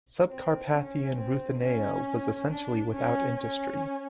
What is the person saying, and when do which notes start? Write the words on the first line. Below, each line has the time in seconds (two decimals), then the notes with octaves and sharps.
Subcarpathian Ruthenia was essentially without industry.
0.28 C4
0.72 C#4
1.15 C4
1.60 C#4
2.48 D4
2.92 C#4
3.36 C#4